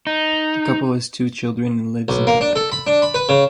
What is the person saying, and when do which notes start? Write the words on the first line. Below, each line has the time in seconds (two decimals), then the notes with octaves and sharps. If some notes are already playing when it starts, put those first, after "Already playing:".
The couple has two children and lives in Tribeca.
0.07 D#4
2.08 B1
2.27 A#3
2.41 D4
2.56 A4
2.72 B5
2.87 D4
3.02 B5
3.14 B4
3.29 C#3